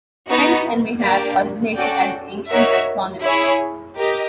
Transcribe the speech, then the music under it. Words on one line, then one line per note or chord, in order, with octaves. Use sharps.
Hence and may have originated as ancient exonyms.
B3 D#4 F#4
A#3 D4 G4 A#4 D5
C#4 F#4 A4 D5 G5
D#4 F#4 A#4 C#5 E5
E4 G#4 C#5
G4 A#4 D#5